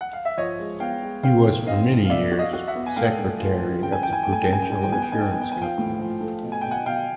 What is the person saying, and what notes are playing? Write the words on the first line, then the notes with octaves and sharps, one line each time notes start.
He was for many years secretary of the Prudential Assurance Company.
F#5
F5
E5
F3 C#5 D#5
G#3
B3 F5 G5
G#3
C4 F5 G5
E3
C4 D#5 F5
E3
F5
B3 D5 E5
F#4
D#5 F5
F#4
E5 F#5
B3
G#5
A3 F5 G5
A3
F4
F3
C#3 G5
G#5
E3 G5
G#5
A3 G5
G#5
C#3 G5
G#5
G5
G3 G#5
G5
B3 G#5
G5
D#4 G#5
G5
B3 G#5
G5
F3 G#5
F5 G5
A2
F3
A3
B2
G#5
B2 G5
F#5 G#5
B2 F5 G5